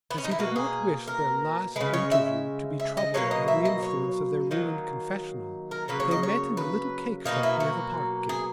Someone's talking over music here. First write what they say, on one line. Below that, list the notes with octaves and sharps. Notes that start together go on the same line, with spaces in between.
As he did not wish their last interview to be troubled by the influence of their ruined confessional they met in a little cakeshop near the Parkgate.
B3
C#4
D#4
E4
B2 A#3 F#4
G#4
A#4
C#3 G#3 B4
C#5
E5
E5
D#5
B2 F#3 A#3 C#5
D#5
E5
D#5
C#5
D#3 F#3 A#3
A#4
C#3 F#3 A#3 B4
C#5
D#5
C#5
B4
B2 F#3 A#3 D#4
E4
F#4
G#4